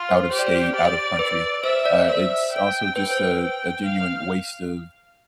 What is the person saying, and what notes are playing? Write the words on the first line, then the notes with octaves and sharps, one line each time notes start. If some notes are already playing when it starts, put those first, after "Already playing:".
out of state, out of country. Uh, it's also just a a genuine waste of,
Already playing: F4
C5
G4 C5
D5
C5
D5
B4
C5 E5
D5
C5 E5
G5
B4 G5
C5
B4
G5
F5